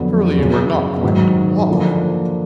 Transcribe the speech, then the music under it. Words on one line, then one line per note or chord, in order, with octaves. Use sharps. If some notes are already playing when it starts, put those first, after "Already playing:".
"Surely you are not going to walk?"
Already playing: F2 D3 F#3 B3
F#2 C#3 F#3
G#2 D#3 F#3
D3 F3 A#3